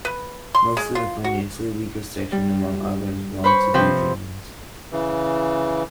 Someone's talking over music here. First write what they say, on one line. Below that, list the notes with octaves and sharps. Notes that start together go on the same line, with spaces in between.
Mostly the financially weaker section among otherwise well to do jains.
B4
C6
G#3
F4
F#4
G3
B4 C5 B5 C#6
C3 F3 B4 G5 C6
C#3 E3